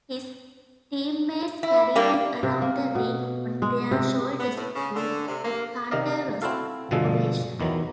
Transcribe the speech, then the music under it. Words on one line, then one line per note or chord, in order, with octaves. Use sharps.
His teammates carried him around the rink on their shoulders to a thunderous ovation.
E4
G3 A#3 D4
C3
A#3
B2
G#3
C3
B3
A2
C#3
D3
C3
A#3
C3 D#3 A#4 D5 D#5 F5
C4 E4 F#4 A4 F5
G1 B2 D3 F3 G#4 A4
E2 D#3 E3 F#3